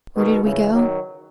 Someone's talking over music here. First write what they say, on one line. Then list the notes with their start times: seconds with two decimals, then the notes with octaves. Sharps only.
Where did we go?
0.16 B2 D#3
0.43 C#3 E3
0.73 D#3 F#3